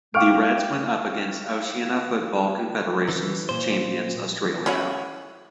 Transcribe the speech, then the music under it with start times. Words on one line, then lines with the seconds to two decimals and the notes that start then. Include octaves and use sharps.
The Reds went up against Oceania Football Confederation's champions Australia.
0.14 F5 G5 C#6 D6 F6 D7
3.09 E3
3.49 A#2 C5
4.66 C#4 E4 F#4